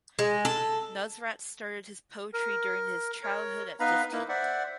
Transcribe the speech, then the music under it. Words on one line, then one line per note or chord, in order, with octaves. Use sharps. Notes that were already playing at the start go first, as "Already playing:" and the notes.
Nusrat started his poetry during his childhood at fifteen.
G#3
A4
A#4
A#4 C#5
B3 D#4 B4 F5 A#5 B5
A#3 D#4 E4
C5 D5 E5 F#5